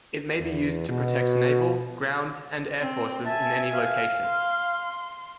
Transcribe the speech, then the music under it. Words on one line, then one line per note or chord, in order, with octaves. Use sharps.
It may be used to protect naval, ground, and air forces in any location.
E2
B2
C4
E5 G#5 A5
F5
C6